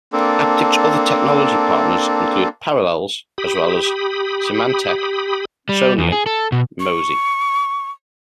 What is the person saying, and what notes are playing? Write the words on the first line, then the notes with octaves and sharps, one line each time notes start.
Apptix's other technology partners include Parallels, as well as Symantec, Sonian, Mozy.
A#3 C4 D4 A4
G4 B5 D#6
G3
E2
G#4
A4
B2
C#6